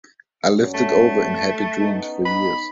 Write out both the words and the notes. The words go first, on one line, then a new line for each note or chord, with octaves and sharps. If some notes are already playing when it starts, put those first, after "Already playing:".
I lived it over in happy dreams for years.
G2 F#3 C#4
A3
B3 C#4 D#4
B5